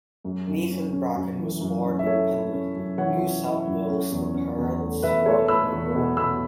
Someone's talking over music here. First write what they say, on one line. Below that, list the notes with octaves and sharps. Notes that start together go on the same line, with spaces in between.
Nathan Bracken was born in Penrith, New South Wales to parents Gordon and Robin.
F#2
F#2
C#4
C#4
F#2
E3
F#2
C#4
E5
E4 A4 C#5
E4
C#4
F#2
E3 C#5 F#5
C#4
E4
F#2
C#4
E2
C#4
E2
A3
E2 B4 E5
A3 A4 C#5
A3 B5 E6
E2
B2
B2 B5 E6